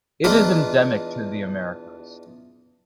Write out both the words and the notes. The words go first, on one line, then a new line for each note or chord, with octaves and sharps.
It is endemic to the Americas.
E2 D4 F4 D#5 A#5 B5